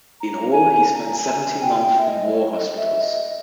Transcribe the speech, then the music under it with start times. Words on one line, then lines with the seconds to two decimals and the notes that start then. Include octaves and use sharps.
In all he spent seventeen months in war-hospitals.
0.20 A#5
0.52 G#5
0.72 G#5
0.83 A#5
1.14 G#5
1.61 G5
1.98 E5
2.07 D#5
2.30 C#5
2.53 D#5
2.77 E5
3.00 D#5